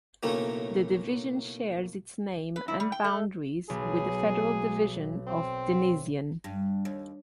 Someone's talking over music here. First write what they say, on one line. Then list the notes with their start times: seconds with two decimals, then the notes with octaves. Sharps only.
The division shares its name and boundaries with the federal division of Denision.
0.23 B1 A2 C#3 A3 A#3
2.56 B4
2.68 E4
2.80 G3
2.92 G5
3.04 A3
3.70 B1 G#4
5.27 C4
6.44 G2
6.85 D#2